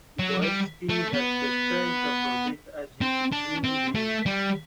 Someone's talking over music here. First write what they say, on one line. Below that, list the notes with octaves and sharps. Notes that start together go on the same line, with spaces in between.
Boyarsky has described the project as his "dream game".
F#3
G3
A3
B3
C4
D4
C4
A3
G3